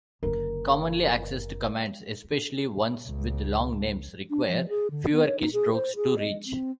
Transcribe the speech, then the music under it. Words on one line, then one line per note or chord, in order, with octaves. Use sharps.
Commonly accessed commands, especially ones with long names, require fewer keystrokes to reach.
F#1 D3 A#4
C#2
D4
F3
G#4
D3
B3
C#5
D#4
G#4
C5
G#4
D#5
C4